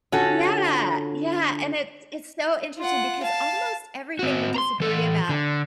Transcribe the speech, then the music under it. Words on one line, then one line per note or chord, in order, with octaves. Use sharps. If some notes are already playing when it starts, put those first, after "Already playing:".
Yeah, yeah, and it's it's so interesting because almost everything we disagree about,
D3 C#4 F4 F#4 A4
F4 F#5
F5 A5
C4 F#4
A#5 C6
E3 A4
D3